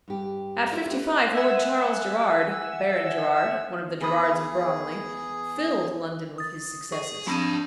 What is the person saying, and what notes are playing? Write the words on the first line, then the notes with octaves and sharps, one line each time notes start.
At fifty-five Lord Charles Gerrard, Baron Gerrard, one of the Gerrards of Bromley, filled London with his successes.
G2 G4
E4 F4 A#4 D5
G4 B4 C5
E5 F#5 G#5 E6
E2 G#4 B5 D#6
D#6 A6
G#4 C#6
F3 C4 D4 B5 D#7